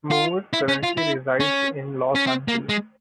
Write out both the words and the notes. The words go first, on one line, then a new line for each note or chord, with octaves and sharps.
Moore currently resides in Los Angeles.
F4
E4
C#4
F4
E4
C#4
C#4
C4
A#3
G#3